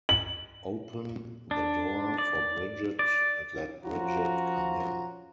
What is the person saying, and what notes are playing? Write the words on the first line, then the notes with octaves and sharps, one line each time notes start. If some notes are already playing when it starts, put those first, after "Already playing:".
Open the door for Bridget and let Bridget come in.
F#7
D4
D5
D5
F3 C#4 F4 F#4 A#5